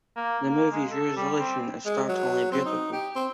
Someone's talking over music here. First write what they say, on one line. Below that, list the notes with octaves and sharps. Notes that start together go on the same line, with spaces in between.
The movie's resolution is startlingly beautiful.
A#3
A#3
G#3
A4
G3
C4
G#3
F#3
C4
D#4
G4
C4